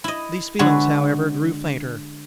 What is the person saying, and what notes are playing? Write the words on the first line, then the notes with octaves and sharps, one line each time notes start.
These feelings, however, grew fainter.
E4 D#5
D3 G#3 F#4 B4 C#5